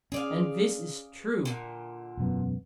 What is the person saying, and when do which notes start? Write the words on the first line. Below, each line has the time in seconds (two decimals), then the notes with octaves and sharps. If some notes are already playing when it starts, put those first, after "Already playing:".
And this is true.
0.12 C#4 G#4 D5 F5
1.45 A#2 D3
2.17 E1 F#2 B3